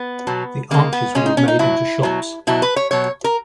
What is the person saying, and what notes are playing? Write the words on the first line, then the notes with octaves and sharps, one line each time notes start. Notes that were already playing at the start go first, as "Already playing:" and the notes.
The arches will be made into shops.
Already playing: B3
B2 F#3
C#3 G#3 A#3
B3
C#3 G#3 C#4
D#4
C#4
D#4
B2 F#3 E4
B2 F#3
B2 F#3 E4
B4
C#5
B2 F#3 C#5
A#4